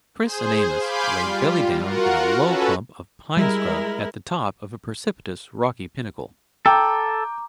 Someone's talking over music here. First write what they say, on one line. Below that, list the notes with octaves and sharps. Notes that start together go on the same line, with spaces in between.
Chris and Amos lay belly down in a low clump of pine scrub at the top of a precipitous rocky pinnacle.
G#4 C5
F5 G#5 B5 C6 D6 G6
G3 F4
F4 F#4 A#4 F#5
C#4 F#4 A4 B4
G3 G#3 E4 A#4
A4 G5 A#5 D6